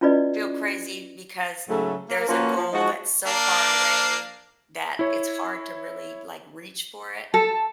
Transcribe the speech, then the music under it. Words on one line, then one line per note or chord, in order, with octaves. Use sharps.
feel crazy because there's a goal that's so far away that it's hard to really, like, reach for it,
C#4 E4 F4 B4 D5 D#5
G#2 C#3 F#3 A3
A#3
F3 A#3 C#4 F4 F#4 B4
F3
F3 G#3 D#4 F#4
A#3 D4 F5
E4 C#5
A4 A5